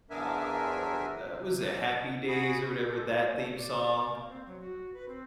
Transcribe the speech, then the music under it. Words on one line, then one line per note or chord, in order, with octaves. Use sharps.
uh, o the was it Happy Days or whatever, that theme song?
E2 B3 D4 A#4 E5 G#5
C3
F#4 G#4 B5
A4
A#3
A3
D5
A#3
C4
F#3
F#4
B4
C4